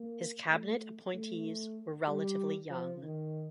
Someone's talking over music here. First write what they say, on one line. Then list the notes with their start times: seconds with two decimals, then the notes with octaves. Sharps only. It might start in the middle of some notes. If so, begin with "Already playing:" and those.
His cabinet appointees were relatively young.
Already playing: A#3
0.50 A3
1.14 A3
2.07 G3
2.70 F3
3.03 D#3